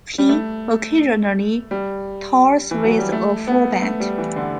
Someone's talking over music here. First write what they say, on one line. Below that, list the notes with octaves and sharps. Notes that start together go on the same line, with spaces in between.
He occasionally tours with a full band.
G3
A3
G3
E3
F#3
G3
A3
B3
A3
G3
E3
D3